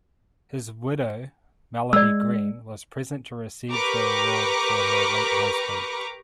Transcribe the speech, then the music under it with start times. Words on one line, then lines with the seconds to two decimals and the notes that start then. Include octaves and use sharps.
His widow, Melody Green, was present to receive the award for her late husband.
1.93 G#3 D5 E6
3.71 G4 A#4 B4 A#5 C#6 D6